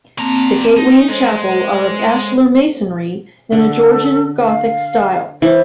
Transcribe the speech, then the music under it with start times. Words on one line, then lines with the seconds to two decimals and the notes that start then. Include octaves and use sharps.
The gateway and chapel are of ashlar masonry in a Georgian Gothick style.
0.18 D3 A#3 C4 A5 A#5
0.78 D#4
1.08 G#3 A4 C5 C#5
3.52 D3 A4
4.43 F5
5.42 E3 C5